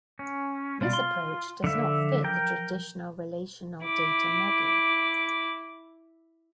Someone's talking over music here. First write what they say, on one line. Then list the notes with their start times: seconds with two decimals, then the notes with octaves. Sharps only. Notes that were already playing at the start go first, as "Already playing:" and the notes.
This approach does not fit the traditional Relational Data Model.
0.19 C#4
0.81 C2 B2 F4 D5
0.93 C6
1.64 D3 F3 E5
2.24 A#4 G5
3.84 E4 D6